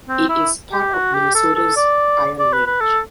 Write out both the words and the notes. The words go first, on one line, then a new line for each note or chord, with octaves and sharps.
It is part of Minnesota's Iron Range.
C4
E4
G4
F#4
G4
A4
A4
D5
D5
B4
B4
A4